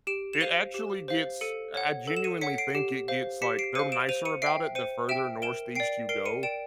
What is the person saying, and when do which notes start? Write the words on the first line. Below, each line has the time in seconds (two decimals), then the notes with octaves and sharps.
It actually gets I genuinely think it gets, like they're nicer about it the further Northeast you go.
0.07 G4 D7 E7
0.33 E7
0.41 C5 F5 D#7 F7
0.74 G4
1.08 C5 F5
1.41 A4 C#7 D#7
1.75 C#5 F#5
2.08 A4
2.17 E7
2.24 C#7 D#7
2.41 C#5 F#5 B6 C#7
2.58 C7 D7
2.75 G4
3.08 C5 F5
3.42 G4 B6 C#7
3.59 C7 D7
3.75 C5 F5 C#7 D#7
3.92 D7 E7
4.09 C5 D#7 F7
4.25 C#7 D#7
4.42 E5 C7 D7
4.46 G5
4.75 C5 C#7 D#7
5.09 E5 G5 D7 E7
5.42 A#4 D7 E7
5.75 D5 G5 C7 D7
6.09 A#4 C7 D7
6.25 C#7 D#7
6.43 D5 G5 D7 E7